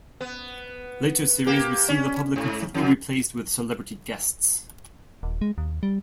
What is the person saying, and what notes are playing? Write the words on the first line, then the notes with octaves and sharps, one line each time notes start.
Later series would see the public completely replaced with celebrity guests.
B3
A#3 G4
C#4
G#2
F2
D#1
G#3
D#2
G3